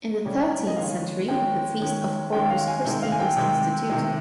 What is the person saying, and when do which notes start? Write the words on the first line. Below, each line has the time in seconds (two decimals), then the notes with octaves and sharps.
In the thirteenth century, the Feast of Corpus Christi was instituted.
0.25 C#3 G3 C#4
0.67 D#5
0.77 D#3 G#3 C#4 F5
1.28 D#3 G#3 C#4 G5
1.80 D#3 G#3 C#4
2.33 D#3 G#3 C#4 G5
2.50 F5
2.67 G#5
2.85 C3 D#3 G#3
3.02 F5
3.12 G#5
3.20 G5
3.36 C3 D#3 G#3 G5
3.89 C3 D#3 G#3